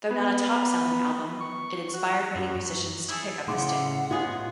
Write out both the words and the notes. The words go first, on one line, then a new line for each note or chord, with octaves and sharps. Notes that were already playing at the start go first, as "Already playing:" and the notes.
Though not a top-selling album, it inspired many musicians to pick up the Stick.
B3
C#6
F#4
F#2
E4 G#4 A4
A2 C#3 F#5 C6 D6
A2 G#3 B3 F4 G#4